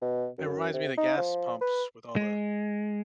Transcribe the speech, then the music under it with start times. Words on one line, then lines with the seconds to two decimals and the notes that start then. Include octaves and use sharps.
it reminds me of the gas pumps, with all the
0.02 B2
0.38 F#2
0.73 C3
0.98 D#4
1.17 F3
1.61 B4
2.16 G#3